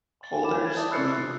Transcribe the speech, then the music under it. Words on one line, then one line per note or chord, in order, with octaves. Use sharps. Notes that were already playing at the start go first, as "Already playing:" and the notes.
holders? I mean
A6
A#4 C#5 B5 D6 E7
G#6 A6
E4 D5 E5 A5 D#6
B5 E6 F#6 A6 C7 C#7
D4 F4